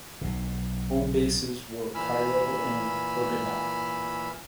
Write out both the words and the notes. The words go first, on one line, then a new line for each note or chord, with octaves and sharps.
Homebases were Cairo and Hurghada.
B1 B2
A#2 E3 G#5 B5 E6 F6